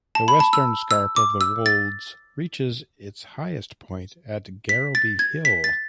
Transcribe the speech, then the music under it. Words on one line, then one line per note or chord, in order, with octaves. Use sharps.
The western scarp of the Wolds reaches is highest point at Garrowby Hill.
A5
B5
A5
E6
E6
D6
E6
A6
B6
A6
G#6
B6
A6